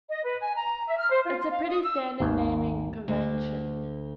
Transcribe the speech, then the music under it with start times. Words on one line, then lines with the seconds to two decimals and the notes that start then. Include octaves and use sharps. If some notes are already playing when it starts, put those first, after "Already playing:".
It’s a pretty standard naming convention.
0.08 D#5
0.23 B4
0.39 G#5
0.56 A#5
0.86 E5
0.97 F6
1.09 C5
1.25 F4
1.39 C6
1.50 F5
1.67 D#6
1.83 E6
2.20 G#1 D#2
3.08 D2